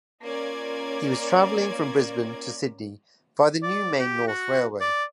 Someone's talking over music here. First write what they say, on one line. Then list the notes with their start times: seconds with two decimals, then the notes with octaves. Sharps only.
He was travelling from Brisbane to Sydney, via the new Main North railway.
0.23 A#3 C#4 F4 A#4 D5 G#6
3.63 D5
4.00 G4
4.28 F#4
4.81 D5